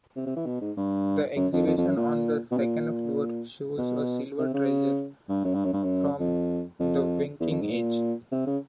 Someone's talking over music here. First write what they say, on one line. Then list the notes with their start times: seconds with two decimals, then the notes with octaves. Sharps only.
The exhibition on the second floor shows a silver treasure from the Viking age.
0.16 C3
0.26 C3
0.36 E3
0.46 B2
0.61 G#2
0.77 G2
1.37 F#2
1.53 F2
1.67 F2
1.77 F2
1.88 F#2
1.97 A#2
2.52 B2
2.57 A#2
3.78 B2
4.39 C3
4.54 C#3
5.29 G2
5.45 F#2
5.55 G2
5.65 F#2
5.73 G2
5.84 F#2
6.20 F2
6.80 F2
7.40 E2
7.51 F2
7.61 G#2
7.71 A#2
8.32 C3
8.47 C#3